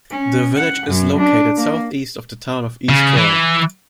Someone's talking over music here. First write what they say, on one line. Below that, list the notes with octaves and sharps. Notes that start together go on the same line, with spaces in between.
The village is located southeast of the Town of East Troy.
C#4
F#5
F#2
D4
A#3
C#3
E3